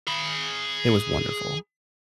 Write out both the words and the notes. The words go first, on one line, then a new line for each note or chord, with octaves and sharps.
it was wonderful.
G#4 B5